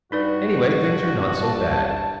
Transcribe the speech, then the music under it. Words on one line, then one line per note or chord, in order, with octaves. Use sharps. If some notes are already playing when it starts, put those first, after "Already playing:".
Anyway, things are not so bad.
G2 D#4 F#4 B4 D5
A5